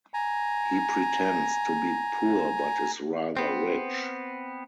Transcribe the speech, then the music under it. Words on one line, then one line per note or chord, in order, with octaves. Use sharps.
He pretends to be poor but is rather rich.
G#5 A#5
B3 C4